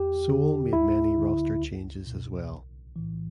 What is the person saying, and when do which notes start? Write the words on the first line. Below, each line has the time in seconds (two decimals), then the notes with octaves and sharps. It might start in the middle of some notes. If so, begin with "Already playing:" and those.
Seoul made many roster changes as well.
Already playing: E2 G4
0.28 D3
0.72 D2 E4
1.18 D3
1.62 C#2
2.07 B2
2.52 B1
2.96 A2 E3